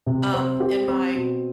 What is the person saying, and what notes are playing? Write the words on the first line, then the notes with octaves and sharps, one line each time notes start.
um, and my
C3
C4
G4
C4
B2